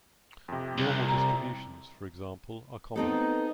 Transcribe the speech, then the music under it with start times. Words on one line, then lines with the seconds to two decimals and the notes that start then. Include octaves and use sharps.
Normal distributions, for example, are common.
0.48 F2 C3
0.78 C2
1.09 A#5
2.96 B3 C4 D#4 A4